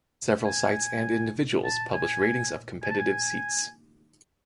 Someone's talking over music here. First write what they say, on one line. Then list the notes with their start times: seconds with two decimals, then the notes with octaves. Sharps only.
Several sites and individuals publish ratings of competitive seats.
0.46 G#5
1.64 A5
1.94 G#5
2.82 G#5
2.90 A5
2.99 G#5